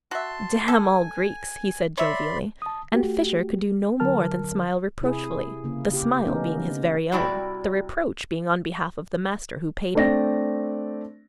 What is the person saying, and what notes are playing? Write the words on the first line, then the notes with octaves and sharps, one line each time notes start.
"Damn all Greeks," he said jovially, and Fisher could do no more than smile reproachfully, the smile being his very own, the reproach being on behalf of the master who paid him.
F#4 E5 A5 C6
A4 G#5
C#5 D5 E5 B5 C6
A5 D#6
A3 F#4 G4
D3 F#3 A#4 A5 F6
C3 E4 G#4
C#3 A#3
G4
A3 B3 C#4 D#4 A#4
C3 G3 E4 F#4 D5 G5
A3 C4 D4 D5 G5 A#6